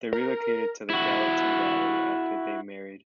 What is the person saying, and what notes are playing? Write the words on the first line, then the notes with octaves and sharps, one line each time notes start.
They relocated to the Gallatin Valley after they married.
A#4
E4 F#4